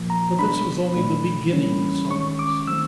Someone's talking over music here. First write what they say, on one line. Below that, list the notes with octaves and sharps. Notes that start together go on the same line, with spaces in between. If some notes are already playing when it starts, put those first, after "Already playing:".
But this was only the beginning of sorrows.
Already playing: A#2 F3 A#3
A#5
B2 F#3 B3 D4 B5
A#2 F#3 A3 D4
E3 G3 A#3 C#4
D#3 G#3 C#4 C#6
D6
D#3 F#3 A3 C4 E6